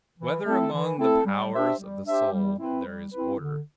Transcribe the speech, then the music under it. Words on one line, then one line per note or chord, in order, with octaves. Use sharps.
Whether Among the Powers of the Soul There Is Order?
E3
A3 C4 E4 A4
E3
A3 C4 E4 A4
G3
D4 G4 C5 E5
G3
D4 G4 C5 E5
G3
C4 E4 B4
G3
C4 E4 B4
D3